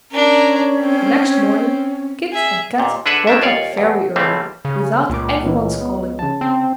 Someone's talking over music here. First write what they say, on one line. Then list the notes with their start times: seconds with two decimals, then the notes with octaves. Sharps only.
The next morning Kit and Kat woke up very early, without any one's calling them.
0.12 C#4 D4 A#4
0.80 C4
2.32 G#4 E5
2.78 D#2 A#2
3.06 D3 D4 G#4 B4 E5 F#5
3.27 F#3 G3 D4 E5
3.42 D#2 F4 C#5 D5
3.77 E2
4.16 C#2 A2 E3 G3 A3 C4
4.65 C#3
5.10 C#2 A#2 D6
5.43 A#2 E3
5.81 B3
6.19 C#3 A5
6.41 C4